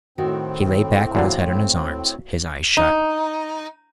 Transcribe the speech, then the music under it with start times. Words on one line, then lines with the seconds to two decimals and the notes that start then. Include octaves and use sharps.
He lay back with his head on his arms, his eyes shut.
0.18 A2 D#3 C4 F#4
1.15 E2 A#2 D3 F#4 F5
2.77 D#4